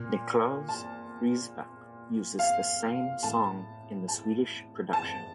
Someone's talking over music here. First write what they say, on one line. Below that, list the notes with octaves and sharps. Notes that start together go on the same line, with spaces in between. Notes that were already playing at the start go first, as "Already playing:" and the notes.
Niklas Riesbeck uses the same song in the Swedish production.
Already playing: A#2
A5
F5
A2 A5
A5
A5